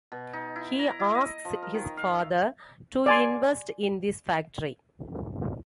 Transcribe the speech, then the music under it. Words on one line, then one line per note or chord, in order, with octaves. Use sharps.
He asks his father to invest in this factory.
B2
D#4
E4
A#5
E4
D#5
F3
A#4
D#3
F5
E5
D5 G#5 C6